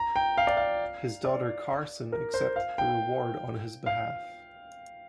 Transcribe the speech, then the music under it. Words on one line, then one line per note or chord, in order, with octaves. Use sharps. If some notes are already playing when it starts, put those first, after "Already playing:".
His daughter Carson accepted the award on his behalf.
Already playing: A#5
G5
F5
D5
F5
D5
A#4
C5
F5
G5
F5